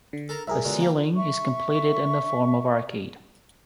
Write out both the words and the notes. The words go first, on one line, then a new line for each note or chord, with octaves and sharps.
The ceiling is completed in the form of arcade.
D3
A4 A#4
C2 G#4 A#4 E5
C#2 B2 D3
A#3
E5 C#6